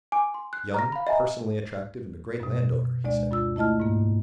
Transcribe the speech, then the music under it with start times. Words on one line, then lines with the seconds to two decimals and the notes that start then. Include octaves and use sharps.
"Young, personally attractive, and a great landowner," he said.
0.12 G#5 D6
0.34 C6
0.53 F#6
0.74 A#5 F6 A#6
0.92 F5 B5
1.07 D#5 E5 G#5 A#5
2.40 F#2 B2
3.04 D2 G#3 D5
3.30 F#2 F4 E6
3.56 A3 E4 D#5 A5 F6
3.80 G#2 A#3